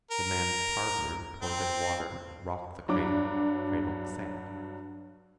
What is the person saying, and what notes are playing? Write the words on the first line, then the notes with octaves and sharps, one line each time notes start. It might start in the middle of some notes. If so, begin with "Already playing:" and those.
The man's 'pardner' poured in water and rocked the cradle--cradled the sand.
A#4
C4
G2 F#3 D4 D6